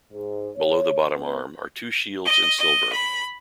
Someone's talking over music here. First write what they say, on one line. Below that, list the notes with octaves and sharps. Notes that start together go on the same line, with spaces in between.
Below the bottom arm are two shields in silver.
G#2
C#5
B3
D#5
D#5
B5